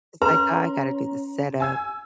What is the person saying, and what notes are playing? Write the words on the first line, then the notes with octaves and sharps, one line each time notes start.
it's, like, I got to do the setup
C#4 B4 A#5 C6
G#5 E6 G#6